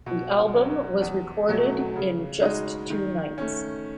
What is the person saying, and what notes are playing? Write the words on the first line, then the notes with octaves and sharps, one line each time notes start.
The album was recorded in just two nights.
B2
F#3 C#4
E2
B2 F#3 A3
C#3
G#3 D#4 F#4
D#3
A3 C#4